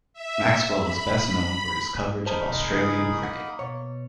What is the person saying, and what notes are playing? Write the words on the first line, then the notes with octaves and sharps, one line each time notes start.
Maxwell is best known for his coverage of Australian cricket.
E5
B5
D#4 A#4 C5 A5 B5
C3 G#3
C#3 E3 G#3 G#4
A#3 F#5
B2 C#5